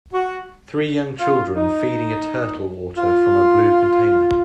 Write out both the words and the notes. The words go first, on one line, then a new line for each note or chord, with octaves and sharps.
Three young children feeding a turtle water from a blue container.
F#4
F4
D#4
F4